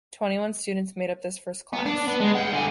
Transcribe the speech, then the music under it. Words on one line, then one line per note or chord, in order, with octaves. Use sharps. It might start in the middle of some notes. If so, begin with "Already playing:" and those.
Twenty-one students made up this first class.
B3
D4
B3
G#3
F#5 G5
D3 G#5